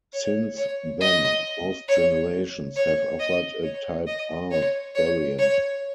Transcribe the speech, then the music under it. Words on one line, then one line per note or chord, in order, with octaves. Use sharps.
Since then, most generations have offered a Type R variant.
C#5
C#5
D#5
C#5
C#5
D#5
C#5
D#5
C#5
C#5
C#5